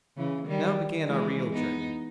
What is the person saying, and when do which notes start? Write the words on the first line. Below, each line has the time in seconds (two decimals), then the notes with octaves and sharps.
Now began our real journey.
0.17 C#3 E3
0.47 D#3 G3
1.08 E3 G#3
1.53 B3 D#4